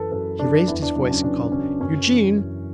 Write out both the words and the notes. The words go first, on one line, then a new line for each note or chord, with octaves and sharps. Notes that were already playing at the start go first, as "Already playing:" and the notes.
He raised his voice and called 'Eugene!
Already playing: F#2 E3 A4 B4
F#2 A4
E3 D4
E2 E4
D4
C#3 F#3 D4
C#4
E2 D4
C#3 F#3 C#4
F#2 C#4
E3
F#2